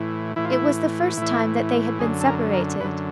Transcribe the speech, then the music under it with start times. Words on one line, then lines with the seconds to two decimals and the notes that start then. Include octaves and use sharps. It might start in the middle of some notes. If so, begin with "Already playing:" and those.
It was the first time that they had been separated.
Already playing: A2 E3
0.36 A2 E3 E4
0.45 F4
0.53 E4
1.17 A2 E3 E4
1.99 F#2 D3 G#4
2.21 A4
2.26 A#4
2.54 A#4
2.80 F#2 B4
2.84 D3